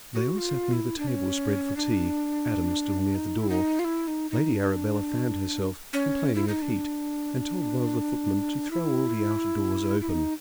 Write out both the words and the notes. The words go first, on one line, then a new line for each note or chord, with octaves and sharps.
They all sat near the table spread for tea, Adam still near the door. Lady Arabella fanned herself, complaining of heat, and told one of the footmen to throw all the outer doors open.
F#4
F4
E4
D4
C#4
D4
D#4
E4
D#4
F4
E4
D#4
D#4
D4
C#4
E4
D#4
D4
E4
E4
D#4